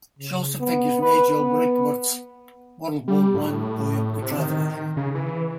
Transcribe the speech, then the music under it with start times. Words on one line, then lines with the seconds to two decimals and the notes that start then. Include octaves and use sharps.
She also figures in Edgell Rickword's World War One poem "The Traveller".
0.19 C#3
0.60 B3
1.02 B4
1.39 B3
3.08 G3
3.34 A2
4.22 C3
4.38 D#3
4.51 D#3
4.97 C#3
5.15 E3